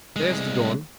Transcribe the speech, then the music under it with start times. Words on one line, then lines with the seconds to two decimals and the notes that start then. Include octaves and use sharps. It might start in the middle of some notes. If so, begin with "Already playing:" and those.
"There's the dawn."
0.16 C2 G#3